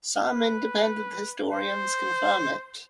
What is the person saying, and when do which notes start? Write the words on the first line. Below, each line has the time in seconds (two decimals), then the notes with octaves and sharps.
Some independent historians confirm it.
0.25 B4
1.51 C5